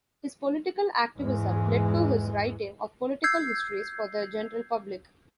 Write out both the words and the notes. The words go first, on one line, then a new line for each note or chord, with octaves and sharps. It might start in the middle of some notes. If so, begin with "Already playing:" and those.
His political activism led to his writing of political histories for the general public.
E2 G#2 E3 G#3
E6 G6 G#6 C7